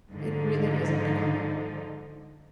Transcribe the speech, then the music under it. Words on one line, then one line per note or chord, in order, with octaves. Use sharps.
"It really isn't becoming."
G#2 D3 F3 D#4